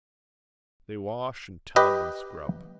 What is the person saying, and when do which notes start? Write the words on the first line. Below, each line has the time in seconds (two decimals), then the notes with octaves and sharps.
They wash and tub and scrub.
1.76 G4 B4 D#5